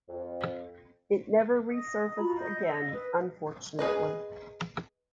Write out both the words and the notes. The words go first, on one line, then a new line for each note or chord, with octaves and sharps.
It never resurfaced again, unfortunately.
F2
D#5 D#6
F4 F#4 A#5 B5
D#5 G6
D#5 E6
B4 D#6
G#4 B4 D#5